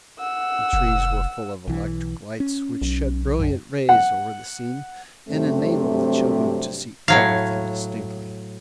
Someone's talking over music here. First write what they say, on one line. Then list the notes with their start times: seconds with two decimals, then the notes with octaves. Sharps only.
The trees were full of electric lights, which shed brilliant rays over the scene and enabled the children to see everything distinctly.
0.19 F#5 E6
0.73 F1
1.67 B1 E3
2.40 C#4
2.82 B1
3.39 F#2
3.89 F#5
5.29 G2 C3 F#3 A3 C4
7.08 A2 F#3 F5